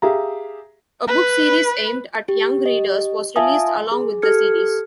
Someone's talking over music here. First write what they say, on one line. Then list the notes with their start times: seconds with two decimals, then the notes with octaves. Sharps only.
A book series aimed at young readers was released along with the series.
0.02 G4 G#4 E5 F5 A#5
1.08 B4
2.29 G4
2.62 G4 D#5
3.36 F4 E5 F5 G#5 A5 D#6
3.68 C6
3.92 G#4
4.22 G4 A4 F6 G#6 C#7